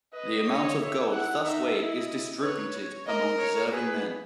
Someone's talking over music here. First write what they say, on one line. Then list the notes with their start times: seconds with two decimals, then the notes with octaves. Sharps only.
The amount of gold thus weighed is distributed among deserving men.
0.13 B4 D#5
0.46 C#5
0.79 E5
1.11 E4 F#5
1.44 D#4 E5
1.76 E4 D#5
2.41 B4 C#5
2.74 C#5
3.06 A#4 D#5
3.39 C#5
3.72 G#4 B4